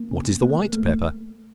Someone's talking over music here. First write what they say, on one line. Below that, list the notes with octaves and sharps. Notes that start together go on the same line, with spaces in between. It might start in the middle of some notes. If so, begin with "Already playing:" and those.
What is the White Pepper?
Already playing: A#3
C3
A#3
A3